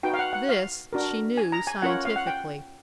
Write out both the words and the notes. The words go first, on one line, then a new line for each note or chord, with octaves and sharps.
This she knew scientifically.
D#4 F#4 B4 G5
F5
F#5
F#5
F5
D4 F#4 A#4
G#5
A#5
G#5
C#4 F4 A#4 C#5 F#5
F5
F#5
G5